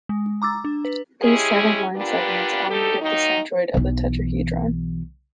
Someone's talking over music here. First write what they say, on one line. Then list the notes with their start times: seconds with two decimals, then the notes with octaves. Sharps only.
These seven line segments all meet at the "centroid" of the tetrahedron.
0.09 G#3
0.42 A#5 D6 E6 A6
0.65 D4
0.85 B4
1.22 G#3 C#4 E4 G4 G#4
1.95 A#2 B3 D4 F4 G4 B4
2.69 D2 D#4 G4 A4
3.01 D#3 F#3 A#3 D#4
3.74 B1 E3